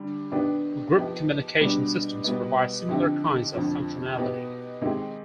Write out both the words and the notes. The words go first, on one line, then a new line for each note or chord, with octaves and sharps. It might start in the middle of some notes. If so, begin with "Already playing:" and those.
Group communication systems provide similar kinds of functionality.
Already playing: D3 G3 D4
D#3 B3 D4 G4
F3 B3 D#4 G4
B2 G3 D4
B2 G3 B3 D#4
D3 F3 C4 D#4 G4
F2 D3 F3
B2 B3 D#4 G4
D#3 G#3 C4 D#4 G4